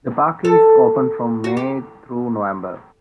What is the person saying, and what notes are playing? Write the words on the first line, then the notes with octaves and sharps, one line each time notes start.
The park is open from May through November.
A4
F#4
G4